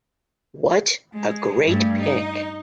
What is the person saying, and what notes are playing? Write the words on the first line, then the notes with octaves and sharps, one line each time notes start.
What a great pic!
G#3
G2 A3
D#4